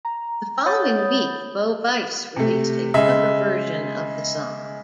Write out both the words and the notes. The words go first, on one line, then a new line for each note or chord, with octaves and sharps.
The following week, Bo Bice released a cover version of the song.
A#5
C#5 F#5 B5 D#6 G6 A6
C3 A3
C#3 G#3 E5